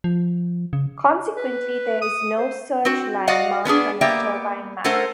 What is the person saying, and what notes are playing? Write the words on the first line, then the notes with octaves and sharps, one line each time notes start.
Consequently there is no surge line marked on a turbine map.
F3
C#3
B4
D#6
C5
C4 F#4
F#4 D5 D#5 F5 F#5
B3 C#4 D4 G#4
A#3 B3 G4 D5 E5 G5
A3 C#4 A4 A#4 C5 F#5